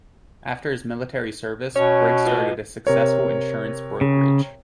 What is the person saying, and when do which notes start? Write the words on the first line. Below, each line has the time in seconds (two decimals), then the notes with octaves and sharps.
After his military service, Briggs started a successful insurance brokerage.
1.76 B2 C#4 C#5
2.26 F4 B4 D#5
2.87 C3 A#4 C#5
4.01 C#3